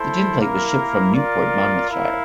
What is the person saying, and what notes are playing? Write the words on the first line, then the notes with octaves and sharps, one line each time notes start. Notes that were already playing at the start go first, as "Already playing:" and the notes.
The tinplate was shipped from Newport, Monmouthshire.
Already playing: E4 A4 C5
A#3 E4 A#4
F4 A#4 D5
E4 A#4 F5